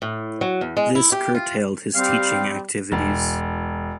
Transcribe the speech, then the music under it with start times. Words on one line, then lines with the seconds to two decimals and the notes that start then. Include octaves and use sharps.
This curtailed his teaching activities.
0.02 A2
0.41 F#3
0.61 E2
0.77 G#3
0.95 E4
1.12 G4
1.35 F4
1.95 G3 C4 G4 F5
2.92 E1